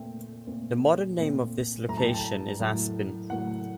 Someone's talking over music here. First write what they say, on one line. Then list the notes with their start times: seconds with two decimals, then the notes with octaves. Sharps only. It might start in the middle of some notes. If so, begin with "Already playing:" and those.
The modern name of this location is Aspen.
Already playing: A#2 A3 C4 G5
0.47 A#2 A3 C4
1.18 A#2 A3 C4
1.89 A2 F#3 A3 A#5
1.97 A5
2.06 G5
2.14 A5
2.60 A2 F#3 A3
3.30 A2 F#3 A3 F#5